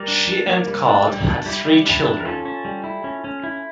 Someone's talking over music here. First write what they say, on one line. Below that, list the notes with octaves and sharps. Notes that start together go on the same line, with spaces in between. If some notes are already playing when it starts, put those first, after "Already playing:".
She and Card had three children.
Already playing: G3 A#4 D5
D4
D4
A#3
G3
D4
G3
D4
G3 E4 G4
G3
D4 E4 G4
D4
A#4
C#4 F4 A4
C#4
G3
E4
C#4
C#4
E4